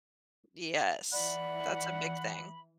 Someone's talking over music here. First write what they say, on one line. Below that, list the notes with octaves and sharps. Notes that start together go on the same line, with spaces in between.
Yes. That's a big thing.
E3 D5 F#5 B5